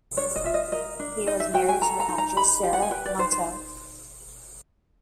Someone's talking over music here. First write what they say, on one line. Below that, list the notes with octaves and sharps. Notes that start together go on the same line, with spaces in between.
He was married to the actress Sara Montiel.
D4 C#5
D#5
F4 E5
D#5
A#4 D#5
D4
D#4 D#5
E5
F#4 G5
G#5
A4 A#5
A#5
D#4
A#5
D#4 B5
G4
F#5
G#5
B4 G5
D5
D#4 C5
C5